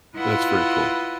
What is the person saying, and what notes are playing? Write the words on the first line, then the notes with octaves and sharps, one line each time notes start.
that's very cool.
E4 F4 B4 D#5 F#5